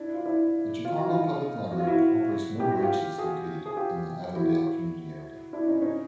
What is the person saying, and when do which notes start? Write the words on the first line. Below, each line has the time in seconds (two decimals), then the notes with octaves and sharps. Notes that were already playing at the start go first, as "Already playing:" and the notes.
The Chicago Public Library operates no branches located in the Avondale community area.
Already playing: D4 E4
0.14 F4
0.26 D4 E4
0.85 F4
0.97 F#4
1.10 D#4 F4
1.72 F#4
1.79 F4
1.87 E4 F#4
2.60 G4
2.71 F#4
2.83 F4 G4
3.18 F#4 G#4
3.66 G#4
3.77 F4 G4
4.35 E4 F#4
5.53 D4 E4
5.67 C#4 D#4
5.82 C#4 D#4